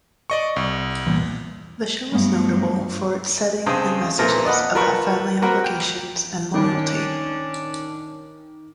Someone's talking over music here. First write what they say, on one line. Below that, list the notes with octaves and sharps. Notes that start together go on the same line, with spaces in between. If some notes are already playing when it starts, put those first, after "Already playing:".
The show is notable for its setting and messages about family obligations and loyalty.
D5 D#5 C#6
C2
E2 G2 A#2
G2 F#3 G3 A3 B3
G2 C#3 C4 G5 D#6
F2 A#2 E3 A4 A#4 A#5
D5 D#5 F#5 B5
F4 A#4 B4 A5 C#6
A#3 C4 F#4 A#4 B4
G5
D#3 C#4 D4